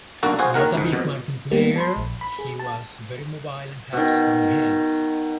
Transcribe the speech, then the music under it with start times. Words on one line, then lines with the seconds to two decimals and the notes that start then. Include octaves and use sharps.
Not a big marking player, he was very mobile and had strong hands.
0.23 B1 D3 A#3 F#4 A4
0.39 F4 F#4 G#4 C5
0.54 D#2 D#3 A#4 F#5
0.74 C#2 G#2
0.93 F2 B2
1.51 G3 A#3 B3
1.76 A5 B5 C6
1.96 A#1
2.21 B5
2.39 G#4
2.59 A5
3.93 B2 D#3